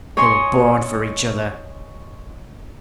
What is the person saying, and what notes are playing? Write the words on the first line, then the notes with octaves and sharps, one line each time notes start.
They were born for each other.
C#5 D#5 G#5 C6